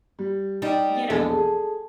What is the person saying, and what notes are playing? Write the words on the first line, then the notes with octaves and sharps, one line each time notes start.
you know,
G3
G3 D#4 D5
E1 A#1 E2 A4
G#4